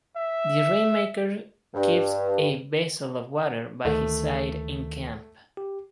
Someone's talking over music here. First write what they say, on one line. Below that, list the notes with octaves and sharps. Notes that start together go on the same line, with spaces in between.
The rain-maker keeps a vessel of water by his side in camp.
E5
G2
D2 D#3 A3
G4